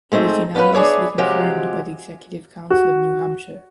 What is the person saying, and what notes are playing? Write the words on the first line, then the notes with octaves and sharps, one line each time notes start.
He was unanimously confirmed by the Executive Council of New Hampshire.
G#3 A3 C4 D#4
B3 C#4 D4 F4 B4
D4 G#4 C#5 D5 E5
C3 F3 F#3 G#3 G4
F#4